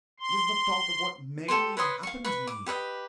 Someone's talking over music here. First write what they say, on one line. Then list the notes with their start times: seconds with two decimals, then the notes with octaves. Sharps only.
"It is the thought of what MAY happen to me."
0.20 C6
1.48 G4 A4 C5 C6
1.77 B4 C#5 C6 D#6
2.03 F5 C#6
2.25 B4 C#6
2.47 D6
2.66 G4 B4 C#5 D#5